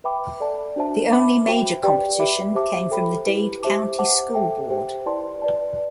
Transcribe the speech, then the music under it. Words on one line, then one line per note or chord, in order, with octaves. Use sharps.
The only major competition came from the Dade County School Board.
B4 E5 G5 B5 D6
A4 D5 A5
D4 F#4 C5 E5 A5
B4 E5 B5 D6
F#4 C5 G5
G4 B4 D5 G5
G4 B4 E5 B5 D6
G4 C5 E5 A5 D6
A4 C5 G5 B5
E4 G4 B4
G4 C5 E5 A5 D6
C5 F#5 A5 D6
A4 E5 G5
G4 C5 G5
E4 B4 D5 A5 C6
B4 D5 A5